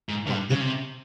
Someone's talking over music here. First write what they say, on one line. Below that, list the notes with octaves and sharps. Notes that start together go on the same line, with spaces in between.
Oh, th
G#2
G2
C#3
C3